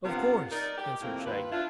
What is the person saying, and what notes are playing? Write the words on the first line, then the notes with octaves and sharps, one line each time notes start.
"Of course," answered Shaggy.
G2 C3 A#3 B3 F4 F#5
D#4 A#4 D5
G4
F2 A2 C3 A#3
D#2 F4 B4
D4 E4 F4